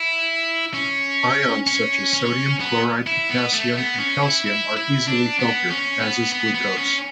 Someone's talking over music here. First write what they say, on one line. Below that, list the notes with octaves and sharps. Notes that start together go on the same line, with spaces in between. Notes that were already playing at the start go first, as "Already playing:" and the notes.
Ions such as sodium, chloride, potassium, and calcium are easily filtered, as is glucose.
Already playing: E4
C#4
C#4
C#4
B3
E4
B3
A3
B3
C#4
E4
E4
E4
D4
B3
C#4
B3
B3
B3
C#4